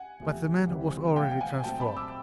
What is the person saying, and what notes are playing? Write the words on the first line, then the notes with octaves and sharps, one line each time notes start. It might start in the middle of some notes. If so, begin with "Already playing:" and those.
But the man was already transformed.
Already playing: F#5 G#5
E2 C3 F3 A3
D2 C3 E3 G3 C4
A#2 F3 A3 F5 G5
G5
F#5 G#5
A#2 F#3 A3 C4 G5 A5
A5 B5
D6 E6